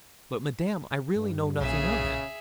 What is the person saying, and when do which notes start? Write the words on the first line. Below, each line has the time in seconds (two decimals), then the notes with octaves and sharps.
'But, Madame, I really know nothing of it.
1.15 G2 G3
1.60 B1 A#2 C#3 G#4 E5